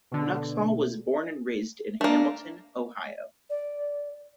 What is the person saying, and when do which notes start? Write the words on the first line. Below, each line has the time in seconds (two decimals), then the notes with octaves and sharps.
Nuxhall was born and raised in Hamilton, Ohio.
0.11 B2 D3
2.01 A3 A#3 D4
3.50 D5